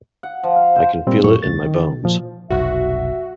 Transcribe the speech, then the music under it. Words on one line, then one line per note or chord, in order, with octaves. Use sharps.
I can feel it in my bones.
F#5
F3
F5
C5
A#2 G3 C4
F#2 A2 C#6
C#2 A6
D#3
A#2 F3
F1 B1 F#4 E5